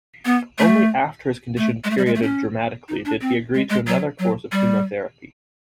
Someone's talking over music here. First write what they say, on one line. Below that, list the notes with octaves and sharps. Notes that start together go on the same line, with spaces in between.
Only after his condition deteriorated dramatically did he agree to another course of chemotherapy.
B3
A3
A3
G#3
A3
G3
G#3
A3
C#4
D#4
D4
C4
G#3
G#3
F#3
F#3
G3